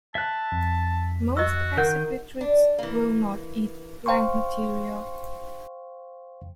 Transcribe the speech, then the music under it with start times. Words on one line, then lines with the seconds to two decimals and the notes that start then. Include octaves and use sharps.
Most accipitrids will not eat plant material.
0.15 E5 A5 F#6
0.52 F2
1.37 F#4 D#5 C#6 E6
1.77 D#3 A#4 F#5 G6
2.41 D4
2.78 E3 A#3
4.06 C5 F5 G5 C6 C#6